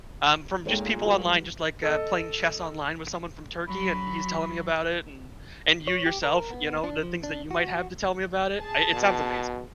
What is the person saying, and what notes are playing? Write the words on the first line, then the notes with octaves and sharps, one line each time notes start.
um, from just people online, just, like, uh, playing chess online with someone from Turkey and he's telling me about it, and and you yourself, you know, the things that you might have to tell me about it. I it sounds amazing.
A#2 G#3 D#4 A4 C#5 F5 G5
F#3 G3 F#4 B4
A4 D#5
F#3 B5
C#5
G4
A#4
B3
D4
F3
D4
F#4
G#4 A5
B2